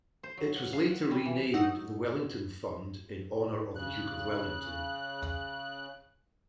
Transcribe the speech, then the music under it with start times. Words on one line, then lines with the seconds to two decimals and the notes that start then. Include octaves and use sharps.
It was later renamed the Wellington Fund in honor of the Duke of Wellington.
0.23 C5
0.37 F#3
0.56 F#5
0.73 F5
0.89 F#5
1.11 G3
1.25 E3
1.54 F#2 D#4 F#5 C#6 D#6 E6
3.75 C#3 F#6